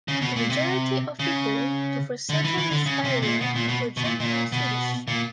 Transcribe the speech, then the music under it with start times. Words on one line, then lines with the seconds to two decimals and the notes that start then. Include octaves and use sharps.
The majority of people to first settle this area were German and Swedish.
0.08 C#3
0.22 B2
0.36 A#2
0.50 C3
1.19 C#3
2.29 D3
2.44 E3
2.58 E3
2.71 D3
2.86 C#3
3.05 C3
3.22 A#2
3.41 B2
3.55 A#2
3.68 B2
3.97 B2
4.04 A#2
4.20 A#2
4.52 B2
5.08 A#2